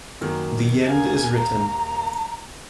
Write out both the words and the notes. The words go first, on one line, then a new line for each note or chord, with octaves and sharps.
The End Is Written.
F#2 D#3 A#3
D#1 A#4 F5 G#5
A#5